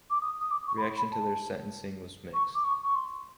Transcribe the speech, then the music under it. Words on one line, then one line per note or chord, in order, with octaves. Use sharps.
Reaction to their sentencing was mixed.
D6
D#6
D#6
D6
C#6
B5
C6
B5
A5
C#6
D6
C#6
C#6
C6